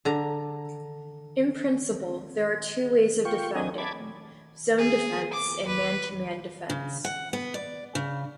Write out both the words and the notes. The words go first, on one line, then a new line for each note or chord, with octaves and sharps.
In principle, there are two ways of defending, zone defence and man-to-man defense.
D3 A#5
F4 G5 C#6
C4 D4 D#5 G#5
A5 B5 D6 G#6
G#4
D6
B4
C#3
F#5
B3
D5
C#3